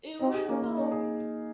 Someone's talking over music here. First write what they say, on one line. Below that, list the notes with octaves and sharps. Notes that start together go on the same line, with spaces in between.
It was, um
C4 D#4
G#4
A#3 C#4
A#3
C#4 D#4
G#4